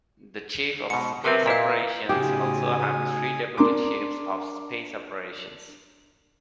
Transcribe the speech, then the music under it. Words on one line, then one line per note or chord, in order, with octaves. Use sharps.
The chief of space operations also have three deputy chiefs of space operations.
G#2 B2 C#7
C3 F#3 C4 A#4 B4 E5
A#2 E4 D#5 F5
A2 C#3 D#4 F#4 G4 G#5 D#6
D4 A#4 C6 D6